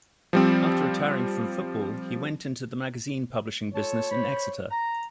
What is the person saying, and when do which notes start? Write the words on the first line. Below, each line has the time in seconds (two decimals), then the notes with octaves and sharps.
After retiring from football, he went into the magazine publishing business in Exeter.
0.33 F3 G3 C4
3.74 F4 A4 C#5 A5
4.10 C5 B5
4.71 A#5